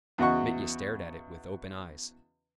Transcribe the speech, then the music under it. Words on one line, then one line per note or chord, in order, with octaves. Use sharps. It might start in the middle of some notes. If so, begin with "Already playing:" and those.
Mitya stared at it with open eyes.
E2 C#3 F#4 D#5 F#5 C#6